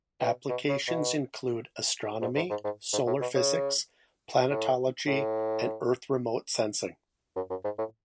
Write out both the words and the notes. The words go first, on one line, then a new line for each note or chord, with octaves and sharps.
Applications include astronomy, solar physics, planetology, and Earth remote sensing.
B2
B2
C#3
B2
G#2
G#2
G#2
G#2
G#2
A2
B2
C#3
A2
A2
F#2
F#2
G#2
A2